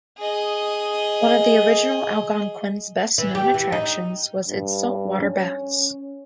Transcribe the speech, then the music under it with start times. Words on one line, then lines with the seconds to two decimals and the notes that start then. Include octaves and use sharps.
One of the original Algonquin's best known attractions was its saltwater baths.
0.18 G#4 D#5
3.18 E3
3.35 G4
3.54 E3
3.72 D#4
4.48 G2
5.20 C#4